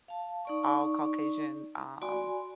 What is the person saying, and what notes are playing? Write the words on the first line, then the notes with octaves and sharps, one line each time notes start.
all Caucasian, um,
F5 A5
D#4 D5 C#6
F#4 D5 G#5 B5 C6